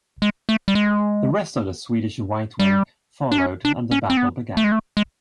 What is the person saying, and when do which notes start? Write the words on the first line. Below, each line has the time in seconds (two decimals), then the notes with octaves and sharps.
The rest of the Swedish right wing followed and the battle began.
0.22 G#3
0.49 A3
0.68 G3
0.75 G#3
2.60 G3
3.32 D4
3.38 C#4
3.65 D4
3.91 C#4
4.10 C4
4.17 B3
4.57 A3
4.64 G#3
4.72 A3
4.97 G#3